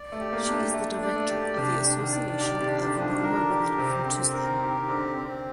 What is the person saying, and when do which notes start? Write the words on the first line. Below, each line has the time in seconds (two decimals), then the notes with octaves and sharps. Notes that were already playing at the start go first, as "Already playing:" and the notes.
She is the director of the Association of Roma Women from Tuzla.
Already playing: D5
0.12 A3
0.19 G4
0.33 A#3
0.46 D4
0.53 A3
0.74 A3 D4
1.02 D5
1.16 A3
1.29 G4
1.57 C3 D4
1.85 D4
1.98 D#3
2.12 D5
2.40 D#3 G4
2.60 C3
2.67 D4
2.82 D3
2.95 F3 D4
3.02 D#3
3.23 D3 A#4
3.50 D3 G4
3.78 C3 C4
4.06 D3 C4
4.33 A#4
4.47 D#3
4.61 G4
4.88 D3 C4
5.16 C4